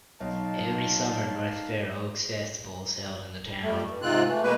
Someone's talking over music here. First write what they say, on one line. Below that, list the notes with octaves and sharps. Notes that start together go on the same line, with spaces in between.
Every summer, North Fair Oaks Festival is held in the town.
B1 D#4 F5 A5
F2 G3 A3
G2
G#2 C3 G#3 C4 F4 F#6
E3 A3
B2 G#3 A#3 B4